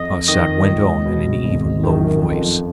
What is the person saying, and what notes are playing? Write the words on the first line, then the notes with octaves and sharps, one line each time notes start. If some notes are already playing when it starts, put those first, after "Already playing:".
Arsat went on in an even, low voice.
Already playing: F2 D#5
D#3 D#5
C#2
B2
G#1
F#2 D#3
F2